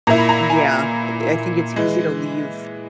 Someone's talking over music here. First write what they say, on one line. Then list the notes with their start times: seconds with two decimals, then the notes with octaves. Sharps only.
Yeah, eh I think it's easy to leave
0.07 A#2 A#3 E4 A#5
0.18 B5
0.29 A#5
0.50 G#5
1.76 E3 G#3